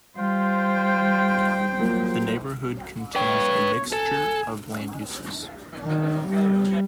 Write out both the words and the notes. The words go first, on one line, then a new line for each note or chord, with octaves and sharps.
The neighbourhood contains a mixture of land-uses.
G3 F4 C5 G5
F#3 A#3 F4
B4 C#5 G5
A4 G#5
D#3
G3